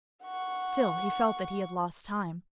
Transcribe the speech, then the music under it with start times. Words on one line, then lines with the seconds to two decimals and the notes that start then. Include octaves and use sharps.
Still, he felt that he had lost time.
0.24 F#5 C#6